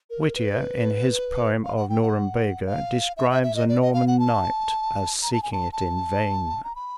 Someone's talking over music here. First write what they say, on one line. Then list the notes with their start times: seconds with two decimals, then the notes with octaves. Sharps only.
Whittier in his poem of "Norumbega" describes a Norman knight as seeking it in vain.
0.10 A#4
0.35 B4
1.64 F5
1.76 F#5
1.89 G5
2.02 F#5
2.66 F5
3.17 E5
3.31 E5
3.43 E5
3.56 D#5
3.69 D5
3.82 D#5
3.94 F5
4.08 F#5
4.19 A5
5.22 A#5
5.33 A5
5.43 G#5
5.52 A5
5.73 A5
6.64 A#5
6.75 B5